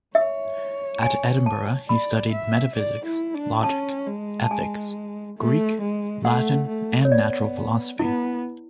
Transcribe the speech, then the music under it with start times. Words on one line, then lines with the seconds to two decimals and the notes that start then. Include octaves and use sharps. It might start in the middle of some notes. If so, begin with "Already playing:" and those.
At Edinburgh he studied metaphysics, Logic, Ethics, Greek, Latin and Natural Philosophy.
0.15 C#5 E5
1.02 G#5
1.46 A5
1.89 D5 B5
2.32 E5
2.76 D5
3.06 E4
3.34 D4
3.64 C#4 A5
4.06 G#3
4.44 A5
4.51 G#3 G#5
5.38 A3
5.82 G#3
6.25 A3 F#5
6.68 A3
7.05 C#5
7.12 B3 D5
7.99 B3 E4